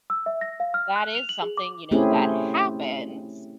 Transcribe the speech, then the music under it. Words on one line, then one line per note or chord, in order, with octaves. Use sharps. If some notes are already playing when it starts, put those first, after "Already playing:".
that is something, you know, that happens
E6
E5
A#6
F5
F6
F#6
F7
F#7
G#4
D6
A3 C4 C#4 E4 G4 G#4